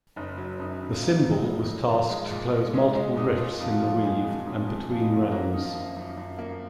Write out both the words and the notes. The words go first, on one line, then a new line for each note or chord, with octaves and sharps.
The Simbul was tasked to close multiple rifts in the Weave and between realms.
F#1 D#4
F#3
F#2 D#4
D#3
F4
F#1 D#4
F#3
D#4
F#1
D#4
D#3
A#2 F3 F4
G#3
A#2
G#3
G#3 C#4
G#3
A#2 D#4
A#2
F2 F4
F#4
F2 F3 F4
F2 G#3 G#4
F2 F#4
F4
F2 D#4
F2
F2 F4
D#4
F2 F3 F4
A#3 F#4
F4
D#3 D#4
F3 F4
F#2
F#2
F#2
A#3